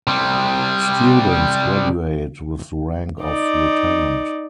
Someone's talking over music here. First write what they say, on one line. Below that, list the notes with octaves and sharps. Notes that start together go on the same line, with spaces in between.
Students graduate with the rank of lieutenant.
C3 G3
D#4 D5